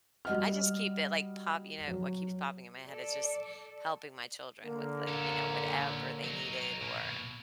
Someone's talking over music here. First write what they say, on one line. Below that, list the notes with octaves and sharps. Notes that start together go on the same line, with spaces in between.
I just keep it like pop you know, what keeps popping in my head is just helping my children with like, you know, whatever they needed or
G3 F#4 D#5 F#5 F6
F#3
A4 D5
D3 A#3
C#4 A4
F#3 D#4
B2 A#3